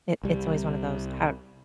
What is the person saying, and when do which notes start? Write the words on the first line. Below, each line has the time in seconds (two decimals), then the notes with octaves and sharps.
it it's always one of those har m m
0.24 C2 G3